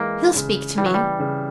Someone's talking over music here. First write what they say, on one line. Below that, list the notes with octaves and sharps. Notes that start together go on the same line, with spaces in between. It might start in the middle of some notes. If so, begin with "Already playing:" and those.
He'll speak to me.
Already playing: E3 G#3 A#3
C#3
E3 G3
F#3
G3
C#3